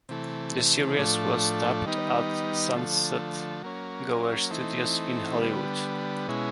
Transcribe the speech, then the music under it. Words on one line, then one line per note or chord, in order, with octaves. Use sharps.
The series was taped at Sunset-Gower Studios in Hollywood.
C3 E3 A3
A2 F3 A3 D4
D#3 G3 B3 D#4
D3 F3 A3
F#3 A#3 C#4
E3 A3 C4 D#4
D3 G3 B3
B2 G#3 C#4 E4